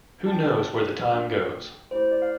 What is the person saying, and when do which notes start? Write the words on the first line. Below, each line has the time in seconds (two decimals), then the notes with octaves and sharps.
Who Knows Where the Time Goes?
0.26 A5
0.32 D4 F4 A4 G5
1.11 A3 D4 A4
1.91 A3 E4 G4 C5
2.11 D5
2.22 F5